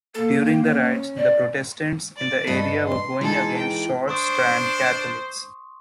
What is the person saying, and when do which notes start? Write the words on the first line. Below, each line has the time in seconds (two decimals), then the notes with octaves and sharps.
During the riots, the Protestants in the area were going against Short Strand Catholics.
0.14 A#3 A4
0.46 G5
0.65 C#4
1.17 D5
2.17 D5
2.47 G2 A4 B4 D#5
2.87 C6
3.21 E3 G#3 D#4 G#4 A4
3.56 G5
4.08 D4 C5 C6 C#6 D#6